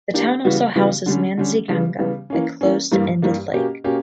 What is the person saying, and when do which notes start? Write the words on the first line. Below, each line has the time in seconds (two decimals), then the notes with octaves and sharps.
The town also houses Mansi Ganga, a close-ended lake.
0.14 E3 A#3 D4 G4
0.44 C#3 E3 G3 B3 F#4
0.76 C#3 E3 G3 B3 F#4
1.06 D3 G3 C#4
1.38 D3 G3 C#4
1.68 C#3 E3 G3 B3
1.99 C#3 E3 G3 B3
2.30 E3 A#3 C#4
2.61 E3 A#3 C#4
2.92 G2 E3 G3 A#3
3.22 G2 E3 G3 A#3
3.53 B2 A#3 C#4 G4
3.84 B2 A#3 C#4 G4